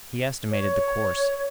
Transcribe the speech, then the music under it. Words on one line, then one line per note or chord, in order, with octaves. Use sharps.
He estimated the course.
C#5